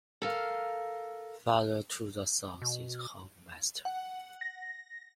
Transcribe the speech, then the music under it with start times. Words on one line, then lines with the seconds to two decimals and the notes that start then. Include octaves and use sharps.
Farther to the south is Hoffmeister.
0.22 A4 A#4 F5
2.62 B2
3.85 F#5
4.41 A#6